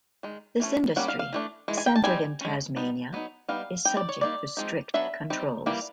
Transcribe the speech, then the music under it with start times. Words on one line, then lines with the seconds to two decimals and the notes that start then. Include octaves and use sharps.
This industry, centred in Tasmania, is subject to strict controls.
0.23 D#3 G#3
0.60 E3 A3 C#4
0.96 G3 A#3 C#4 F#5
1.08 F5
1.19 F5
1.33 E3 A3 D4
1.68 E3 G#3
1.78 G#5
1.86 G5
1.96 A5
2.04 G3 C4 D#4 G#5
2.41 G#3 C#4
2.76 G3 B3 D#4
3.13 F#3 B3 D#4
3.49 G3 B3 D#4 F5
3.85 G3 C4 D#4 G5
3.97 D5
4.09 C#5
4.21 D#3 G3 A#3 D#4 D5
4.57 F3 G#3 C4 D#4
4.94 F#3 B3 D4 E5
5.30 G3 C4 D#4
5.66 E3 G3 A#3